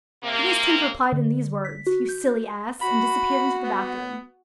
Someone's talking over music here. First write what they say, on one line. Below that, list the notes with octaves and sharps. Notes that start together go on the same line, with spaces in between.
To this Tink replied in these words, "You silly ass," and disappeared into the bathroom.
C3 A#3
D3
B6
F#4
G6
F#4 B5
B3